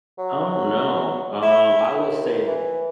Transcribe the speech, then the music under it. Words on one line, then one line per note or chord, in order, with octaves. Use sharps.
I don't know. Um, I will say
F#3
E4
D#2
E3